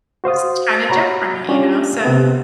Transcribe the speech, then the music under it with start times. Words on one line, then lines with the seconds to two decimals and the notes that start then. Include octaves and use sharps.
it's kind of different, you know, so
0.24 F#4 C5 F5 D#6
0.90 F#4 C#5 A#5 B5
1.49 C#4 D4 F4 G4
2.05 C3 B3